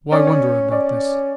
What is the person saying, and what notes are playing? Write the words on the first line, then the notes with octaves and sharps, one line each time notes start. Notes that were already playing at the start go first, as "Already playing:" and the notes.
Why wonder about this?
C#4 D5
C#5
C#4 D5